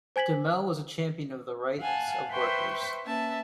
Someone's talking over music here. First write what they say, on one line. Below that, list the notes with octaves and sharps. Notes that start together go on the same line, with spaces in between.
Dehmel was a champion of the rights of workers.
C5 G#5 G#6 B6 F#7
F5 F#5 G#5 A5
B4 C5 E5 G5 C6 C#6
A#3 C#4 B4 E5 A5